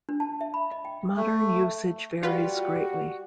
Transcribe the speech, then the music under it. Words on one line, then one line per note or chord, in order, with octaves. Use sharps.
Modern usage varies greatly.
D4
A5
E5
B5
D#5
G5
A3
G3 F4 F#4 B4